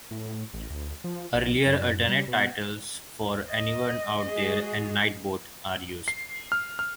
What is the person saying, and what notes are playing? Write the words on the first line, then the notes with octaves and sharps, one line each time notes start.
Earlier alternate titles for "Anyone Out There" and "Night Boat" are used.
A2
A1
D2
F3
A#1
F#2
G3
B2
D#5
G#3 F#4 G#4
C7
F6
F6